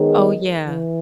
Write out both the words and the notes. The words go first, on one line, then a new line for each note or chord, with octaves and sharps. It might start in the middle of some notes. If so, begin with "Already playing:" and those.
Oh, yeah,
Already playing: D#3 G#3 B3 D#4 G#4 C#5
E3